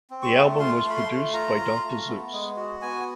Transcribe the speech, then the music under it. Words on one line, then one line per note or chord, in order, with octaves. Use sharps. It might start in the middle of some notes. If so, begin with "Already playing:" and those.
The album was produced by Dr Zeus.
C4
C#6
A3
F4 C6
A3
B5
C6
A3
F4 A#5
F4
A3
B3
G#3
F#4
B3 G#5